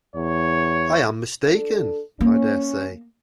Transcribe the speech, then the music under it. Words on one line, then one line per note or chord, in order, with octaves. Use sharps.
I am mistaken, I dare say.
E2 C#5
D4 A4
A#3 C#4